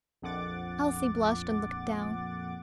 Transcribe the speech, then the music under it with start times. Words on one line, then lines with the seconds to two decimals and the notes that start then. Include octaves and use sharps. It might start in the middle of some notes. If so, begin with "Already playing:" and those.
Elsie blushed and looked down.
0.22 A#1 F2 F#5 D6 A6